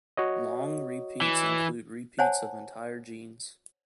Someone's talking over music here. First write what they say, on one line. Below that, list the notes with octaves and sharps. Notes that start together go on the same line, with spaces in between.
Long repeats include repeats of entire genes.
F#4 C#5 D#5
E3
C5 C#5 F#5 G#5 A5